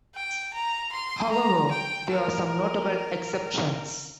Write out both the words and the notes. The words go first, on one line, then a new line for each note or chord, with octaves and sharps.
However, there are some notable exceptions.
G5
A#5
C6
A#5
G5
A#4
A#4